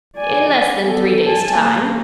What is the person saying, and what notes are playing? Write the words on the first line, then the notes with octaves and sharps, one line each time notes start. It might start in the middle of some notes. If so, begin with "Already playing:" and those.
"In less than three days' time."
D5 G#5
B3 A4
G#5 A5
A#3